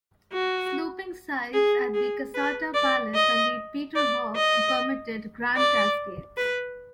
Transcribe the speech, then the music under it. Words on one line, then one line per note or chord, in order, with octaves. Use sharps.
Sloping sites at Caserta Palace and Peterhof permitted grand cascades.
F#4
G#4
G#4
B4
D5
D#5
D5
D#5
D5
B4